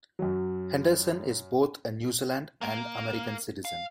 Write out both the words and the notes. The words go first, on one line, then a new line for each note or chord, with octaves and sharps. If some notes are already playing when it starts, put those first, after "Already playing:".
Henderson is both a New Zealand and American citizen.
F#2 F#3
A#3
F5